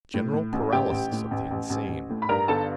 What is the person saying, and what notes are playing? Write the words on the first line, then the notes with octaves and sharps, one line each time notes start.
General paralysis of the insane!
A2
A2
A1
A1 G4 G5
A1
A2
A1
A1
A1
A1
A2
B5
G2 A#4 A#5
G1 A4 A5